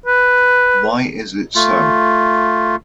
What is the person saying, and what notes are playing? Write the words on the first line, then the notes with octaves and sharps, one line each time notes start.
Why is it so?
B4
A3 F4